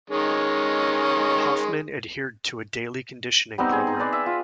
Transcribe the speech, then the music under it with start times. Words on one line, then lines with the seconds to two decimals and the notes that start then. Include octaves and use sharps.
Hoffman adhered to a daily conditioning program.
0.10 D#3 G#3 C#4
3.58 G3 B3 C4 D#4
3.72 G#4
3.87 D#4
4.00 B4 D5
4.13 E5
4.26 F4